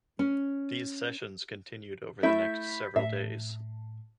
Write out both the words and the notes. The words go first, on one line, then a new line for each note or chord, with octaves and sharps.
These sessions continued over the next several days.
C#4
A3 E4 E5 B5 G6 B6
A2 E5